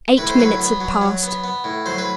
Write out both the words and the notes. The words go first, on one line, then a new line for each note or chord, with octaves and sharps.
Eight minutes had passed.
A2 B4
C5
F#3 B4
B3
F#3
F#3
B3
B3
A2
F#3 C5
B4